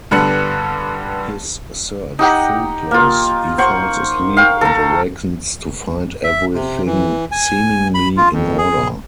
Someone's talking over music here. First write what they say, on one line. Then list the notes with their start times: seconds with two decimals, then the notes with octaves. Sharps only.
His search fruitless, he falls asleep and awakens to find everything seemingly in order.
0.11 G2 D3 G3 B3 F#6 C#7
2.19 D#4 G4 F#5 G5
2.91 A#3 F4
3.58 C5 F#5 C#6
4.37 F5 G5 C#6
4.61 A4 A#5
6.24 E5
6.54 C3
6.86 E3
7.31 G#5
7.94 B5
8.17 F4
8.32 F2
8.58 G#4